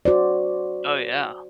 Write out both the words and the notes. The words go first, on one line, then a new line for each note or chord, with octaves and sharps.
Oh, yeah.
F#4 C5 D5